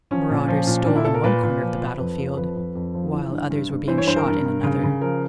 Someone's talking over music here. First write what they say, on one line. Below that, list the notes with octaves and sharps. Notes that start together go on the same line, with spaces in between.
The marauders stole in one corner of the battlefield while others were being shot in another.
F3 C#4
A#2
F3
A#2
A#2 D4
E4
A#2 A4
A#4
A#2 B4
A#2
F3
F3
F2 B4
F3
F2 B4
F2
F2
F3
E3
G2
G2
G2
E3 C5
C#5
G2 C5
A#4
G2
G2
C#3
C#3
F3 A#4